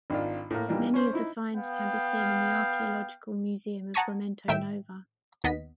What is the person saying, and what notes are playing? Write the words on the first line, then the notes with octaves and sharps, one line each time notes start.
Many of the finds can be seen in the Archaeological Museum of Grumento Nova.
G#1 D#3 D4 F4
A2 A#3
E3 G3 A#3 D4 D#4
C#4 C5 C6
D#4 E4
B3 F5 G5
F#5 A5 A#5 C#6 D#6 G#6
A2 D#3 E5 G5 D7 E7
D#2 B3 D#5 B6